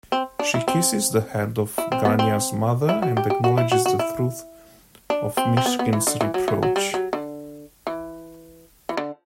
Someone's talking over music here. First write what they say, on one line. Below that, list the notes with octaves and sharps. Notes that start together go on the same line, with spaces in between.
She kisses the hand of Ganya's mother and acknowledges the truth of Myshkin's reproach.
C4
D4
E4
C4
E4
C4
B3
C4
E4
F#4
G4
G4
F#4
E4
F#4
F#4
E4
D4
C4
C4
B3
B3
E3
D3
E3
F#3
E3
F#3
G3
F#3
D3
E3
E3
D3